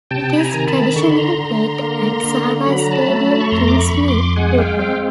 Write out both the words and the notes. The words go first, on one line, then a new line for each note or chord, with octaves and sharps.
It is traditionally played at Sahara Stadium Kingsmead, Durban.
C3 G5 A5
B5
G#5 A#5
D#3
A5 B5
D3 C#6
C6
B5
A#5 C6
D3
A#3
D3
F#3 B5
A#5
A5 B5
A3
C#6
F2 A#5 C6
D6
B5 C#6
F2
C6 D6
G#3 F#5 G#5
F5 G5
C4 F5 G5